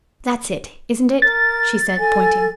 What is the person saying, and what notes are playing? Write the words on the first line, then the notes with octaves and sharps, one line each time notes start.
"That's it, isn't it?" she said, pointing.
A#4 A6
A4 G#5